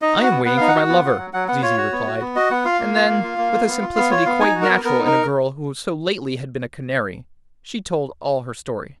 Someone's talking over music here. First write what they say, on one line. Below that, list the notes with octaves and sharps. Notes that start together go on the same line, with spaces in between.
'I am waiting for my lover,' Zizi replied; and then, with a simplicity quite natural in a girl who so lately had been a canary, she told all her story.
D#4 D#5
F#4
F#5
B3
B3 F#5
D#4 F5
F#5
F#4
B3
F4
F#3
F#3 F#5
B3 F#5
F4 C#5
F#4
B3
F#4
B3
F#4 D#5
B3 F#5
F4 F5
A#3
F4
A#3
F4
A#3
F4
B3
F4
B3 F5
F4 C#5
B3 F5
D#4 G#5
F#4
A#4
B3
B3 A#4
D#4
A#4